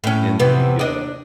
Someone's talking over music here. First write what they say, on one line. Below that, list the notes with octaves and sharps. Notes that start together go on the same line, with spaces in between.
in the, uh,
A2 C#4
C3 E3 B3
D4 D#5